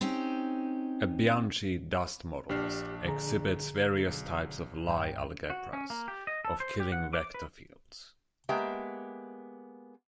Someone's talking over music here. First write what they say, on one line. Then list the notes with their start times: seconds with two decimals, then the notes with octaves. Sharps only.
A Bianchi dust models exhibits various types of Lie algebras of Killing vector fields.
0.01 C4 C#4 D#4 G4
2.49 A#1 D4 G4 F6 C7
3.05 D3 G#4 A#5
4.07 B1
4.86 C#2 G2 G5
5.50 F#4
5.73 C#4
5.90 A#3
6.08 G4
6.27 D#5
6.45 A4
6.60 C5
6.80 G4
6.92 F#5
7.13 D6
7.34 B4
8.49 G#3 A#3 B3 G4 E5